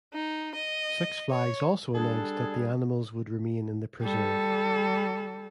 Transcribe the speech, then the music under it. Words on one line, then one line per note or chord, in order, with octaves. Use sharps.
Six Flags also announced that the animals would remain in the preserve.
D#4
D#5
C#5
G3 D4 G#4 A4
G3 A4